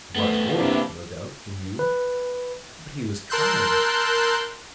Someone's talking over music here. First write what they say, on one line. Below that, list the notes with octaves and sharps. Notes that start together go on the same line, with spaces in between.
He was older, no doubt, than you, but he was kind.
F2 A3 B3
C3 A#3 D4 E4
B4
A#4 A5 C6 E6 F#6 G6